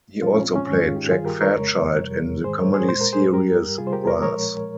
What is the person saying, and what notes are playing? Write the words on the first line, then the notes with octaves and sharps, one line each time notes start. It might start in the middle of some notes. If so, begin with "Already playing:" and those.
He also played Jack Fairchild in the comedy series "Brass".
A#2 F3 G#3 C#4 F4
C#4
C4
C#4
G#2 D#3 G#3 C#4
F4 G#4
D#4 G4
G2 D#3 G3 F4 G#4
G4 A#4
A#4 C#5
F2 C#3 G#3
F2 C3 G3
G#2 D#3 G#3 G#4 C5
A#4 C#5
G#4 C5
A#2 G#3 C5
A#4
G#4 C5
G2 G3 G4 A#4
C3 G3 F4 G#4
C5
G4 A#4
A#4 C#5
A#2 F3 G#3 A#4 C#5